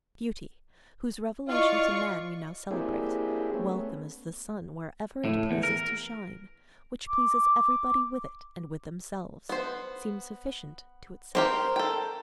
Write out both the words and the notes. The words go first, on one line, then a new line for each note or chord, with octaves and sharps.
Beauty, whose revelation to man we now celebrate, welcome as the sun wherever it pleases to shine, which pleases everybody with it and with themselves, seems sufficient to itself.
E4 F4 D5 D#5 F5 C#6
A#3 C4 D4 E4 G4 G#4
A3 B3 C#4
A2
E2
A#4
D6
B3 C5
C4 G4 A#4 C5 G5
A4 G5